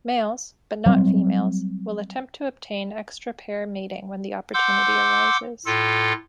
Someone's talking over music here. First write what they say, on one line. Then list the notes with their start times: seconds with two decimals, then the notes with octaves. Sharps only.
Males, but not females, will attempt to obtain extra-pair mating when the opportunity arises.
0.86 F#3 G3 C4
4.54 F#5 C6 D6 E6 G6
5.66 A2 F4 A4